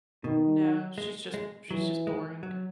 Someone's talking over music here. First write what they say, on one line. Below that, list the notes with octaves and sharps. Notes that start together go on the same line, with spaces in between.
No, she's just she's just boring.
B2 D#3
G#3
G#3
E3 F#3
G#3
F#3